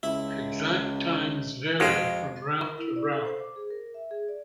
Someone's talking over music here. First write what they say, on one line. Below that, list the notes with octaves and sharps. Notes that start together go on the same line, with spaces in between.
Exact times vary from route to route.
C#2 E4
F2 G#3 F#4 C5 F5
A#4
E4
D5
A4
C5
D6
G#4
A#4
E5
G#4
D5